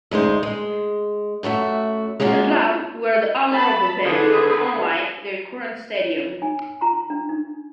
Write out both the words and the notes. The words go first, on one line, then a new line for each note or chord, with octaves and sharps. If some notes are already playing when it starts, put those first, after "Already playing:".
The club were the owner of the venue, unlike their current stadium.
D2 G#3 D#4 C5
G#3
F#2 A3 F#4 E5
G#3 A#3 C#4 F4 F#4
A5 B5
D3 C4 G#4 A4 B4
C#5
D#4 G#5
F4 A5 A#5 C6
D4
D#4